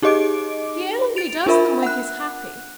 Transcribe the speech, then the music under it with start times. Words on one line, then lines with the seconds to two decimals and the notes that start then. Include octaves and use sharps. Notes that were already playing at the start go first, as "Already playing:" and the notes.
He only does them when he's happy.
0.02 D#4 G4 G#4 D#5 D6 D7
1.16 A6 D7 F7
1.46 D4 F4 A#4 E5 B5
1.83 F#5 F#6